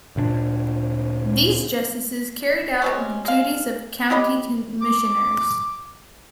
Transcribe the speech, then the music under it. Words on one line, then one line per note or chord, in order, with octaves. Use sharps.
These justices carried out the duties of county commissioners.
D2 A#2 B3 D4
C3 G#3 C#4
G#3 F5
E4 G4 D#5 B5
D6